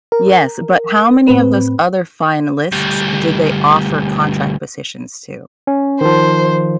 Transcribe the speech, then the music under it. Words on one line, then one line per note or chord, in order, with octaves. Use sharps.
Yes, but how many of those other finalists did they offer contract positions to?
A#4
A2 C4 B4
D2 G3
C#4
D#3 F3 C5